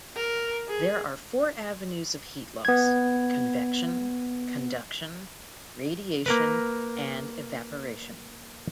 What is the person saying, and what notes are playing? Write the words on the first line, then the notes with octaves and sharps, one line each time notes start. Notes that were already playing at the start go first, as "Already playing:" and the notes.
There are four avenues of heat loss: convection, conduction, radiation, and evaporation.
A#4
G#4
B3 G#6
A#3 A#4 B4